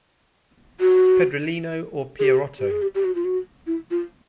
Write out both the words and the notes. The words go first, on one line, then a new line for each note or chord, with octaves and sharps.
Pedrolino or Pierotto.
F#4
G#4
G4
G4
G#4
G4
G4
F#4
F4
F#4
E4
F4